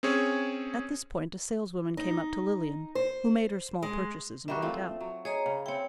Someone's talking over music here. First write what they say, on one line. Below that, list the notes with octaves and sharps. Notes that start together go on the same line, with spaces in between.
At this point a saleswoman came up to Lilian, who made her small purchases and went out.
C4 C#4 G#4 C#5
D#4
C5
G#3
D#3 G3 F#4 E5
F3 A3 C4
F#3
G#4 C#5 D#5 A#5
C#3
C4 E4 C#5 G5